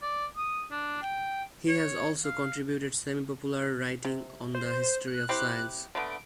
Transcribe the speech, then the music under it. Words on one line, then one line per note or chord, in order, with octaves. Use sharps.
He has also contributed semi-popular writing on the history of science.
D5
D#6
D4
G5
C#5
F5
C3
C5
F#6
C4 E4 G4
D3 A3 B3 D7